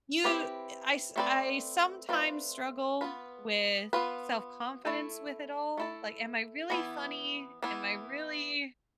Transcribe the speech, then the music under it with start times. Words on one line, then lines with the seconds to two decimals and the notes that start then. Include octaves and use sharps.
you I s I sometimes struggle with self-confidence with it all, like, "Am I really funny? Am I really"
0.24 C4 E4 G4 B4
1.16 A3 C4 F4 B4 D5
2.09 A3 C4 F4 B4 D5
3.01 B3 F4 B4
3.93 B3 F4 B4
4.85 A3 E4 A4
5.77 A3 E4 A4
6.70 E3 B3 E4
7.63 E3 B3 E4